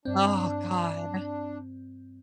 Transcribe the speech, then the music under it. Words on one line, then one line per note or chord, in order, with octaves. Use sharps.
Oh, God.
G2 C4 D4